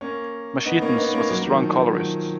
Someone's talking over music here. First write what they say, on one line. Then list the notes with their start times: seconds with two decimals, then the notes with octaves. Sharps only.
Machetanz was a strong colorist.
0.01 A#3 C#4
0.65 B3 D#4
0.82 A#3 C#4
0.98 B3 D#4
1.14 A#3 C#4
1.30 F#3 A#3
1.46 D#3 F#3
1.62 F3
1.79 F3
1.94 D#3 F#3